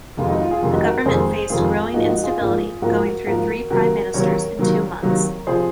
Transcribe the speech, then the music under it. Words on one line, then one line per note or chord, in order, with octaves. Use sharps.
The government faced growing instability, going through three prime ministers in two months.
F2 C3 D#3 G#3 F4
D#4 F#4
F4
F4 G#4
F2 C3 D#3 G#3 F4
D#4 F#4
F#4 A#4
F2 C3 D#3 G#3 G#4 C5
F2 C3 D#3 G#3 F4 G#4
G#2 F3 A#3 D#4 F#4
D#4 F#4
F4 G#4
G#2 F3 A#3
G#2 F3 A#3 F#4 A#4
G#2 F3 A#3 F#4 A#4
C3 D#3 F#3 A#3 F#4 A#4
C3 D#3 F#3 A#3 A#4 C#5
C3 D#3 F#3 A#3
C3 D#3 F#3 A#3
C3 F3 G#4 C5